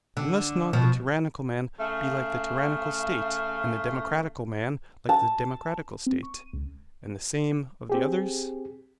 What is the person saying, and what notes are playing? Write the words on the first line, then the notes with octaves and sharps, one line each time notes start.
And must not the tyrannical man be like the tyrannical State, and the democratical man like the democratical State; and the same of the others?
D3
B2 F3
C#3 A3 F5
A5
C4
C#6
D#7
C#2
C4 G4 G#4